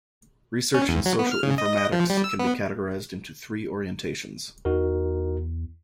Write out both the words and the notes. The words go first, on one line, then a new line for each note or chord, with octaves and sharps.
Research in social informatics can be categorized into three orientations.
C#4
E2
F#3
B3
F6
C#3
D#5
D#5
F3
G3
E6
B3
E2 D#4 F#4 A#4